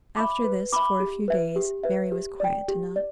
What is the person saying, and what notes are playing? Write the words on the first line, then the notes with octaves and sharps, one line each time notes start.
After this, for a few days, Mary was quiet enough.
E5 B5 D6
B4
E5 B5 D6
G4
B4 E5
G4
B4 E5
G4
D5 G5
G4
D5